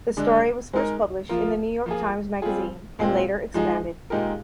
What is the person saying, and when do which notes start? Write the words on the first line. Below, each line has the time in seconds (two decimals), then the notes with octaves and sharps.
The story was first published in "The New York Times Magazine" and later expanded.
0.17 D3 G#3 D4
0.73 G#3 D#4 A#4
1.29 F3 A#3 F4 A#4
1.86 F3 A#3 F4 G#4
2.42 G3 C4 F4 G#4
2.99 A#2 G#3 C4
3.54 F3 G#3 D#4 G#4
4.10 A#2 G#3 D#4 G4 A#4